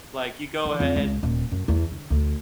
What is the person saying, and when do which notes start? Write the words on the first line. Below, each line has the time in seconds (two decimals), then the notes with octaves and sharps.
Like, you go ahead,
0.65 E3
0.80 F2
0.96 C#2
1.23 D#1
1.51 F#2
1.68 E2
1.92 D3
2.10 D2